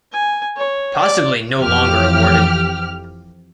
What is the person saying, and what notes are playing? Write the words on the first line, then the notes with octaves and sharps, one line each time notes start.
Possibly no longer awarded.
G#5
C#5
D5
F2 E3 G4 F6